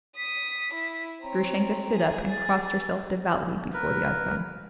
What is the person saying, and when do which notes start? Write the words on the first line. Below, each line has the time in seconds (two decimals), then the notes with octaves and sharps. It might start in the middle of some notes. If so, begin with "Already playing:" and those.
Grushenka stood up and crossed herself devoutly before the ikon.
0.17 D#6 B6
0.74 E4
1.22 C4 C#5 A#5
1.91 G#4
2.31 A6
3.74 A#4 B4